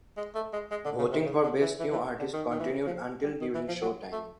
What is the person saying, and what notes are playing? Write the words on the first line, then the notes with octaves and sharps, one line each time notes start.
Voting for Best New Artist continued until during showtime.
G#3
A3
G#3
G#3
D3
C#3
C3
C#3
D3
E3
E3
E3
D3
D#3
D#3
E3
F3
G3
D#3
E3
F3
F#3
A3